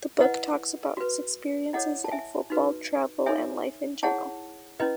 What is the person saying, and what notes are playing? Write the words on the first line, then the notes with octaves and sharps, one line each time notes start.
The book talks about his experiences in football, travel, and life in general.
E4 B4 D#5 F#5
F#4 B4
E4 A4 C#5 D#5 F#5
A5
E5 G#5
D#4 F#4 B4
D#4 A4 C#5 E5 G#5
E4 G#4 C#5 F#5 A5
C#4 E4 B4 D#5